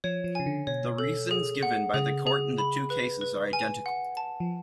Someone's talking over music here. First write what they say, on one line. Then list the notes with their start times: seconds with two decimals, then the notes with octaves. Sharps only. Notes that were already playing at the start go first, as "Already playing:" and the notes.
The reasons given by the Court in the two cases are identical.
0.04 F3 C#5
0.24 F3
0.35 C#3 G#5
0.46 D3
0.67 B2 C#5
0.98 A4
1.31 G#4
1.63 F#5
1.94 C#3 G#4
2.27 G#4
2.58 B5
2.90 B4
3.21 B4
3.53 G#5
3.86 F#5
4.17 A5
4.40 F3